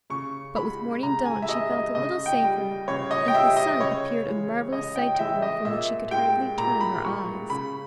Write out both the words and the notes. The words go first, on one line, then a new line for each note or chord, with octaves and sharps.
But with morning dawn she felt a little safer, and the sun appeared a marvellous sight to her from which she could hardly turn her eyes.
C#3 C#6
G#3 B5
C#3 A#5
G#5
E5
G#3 D#5
D#5
C#3 D#5
G5
G3
C#3 C#5
D#5
G5
G3 E5
D#5
C#3 C#5
E3 G#3
C#3 D#5
G5
G5
E3 G#3 E5
D#5
A#2 E5
G#3 G5
A#2 A#5
B5
G#3 C#6
C#3 B5